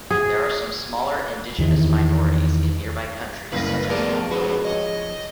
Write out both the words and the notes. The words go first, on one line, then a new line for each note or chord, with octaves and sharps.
There are some smaller indigenous minorities in nearby countries such as Moldova.
G#4
E2 D#3 E3
F#1 C2 C#3 G3 B4 F5 A#6
F3 A3 B3 G#4 A#4 D5 A5
G#3 C#4 F#4 B4
C#5 D#5